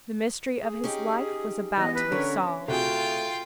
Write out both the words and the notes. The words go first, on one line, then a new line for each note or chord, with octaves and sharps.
The mystery of his life was about to be solved.
G#4
C#4 D#4 G4
E3 B3 D#5
B4
D3 C#4 A#4 C#5
C3 A3 F4 F#4 G#4 G5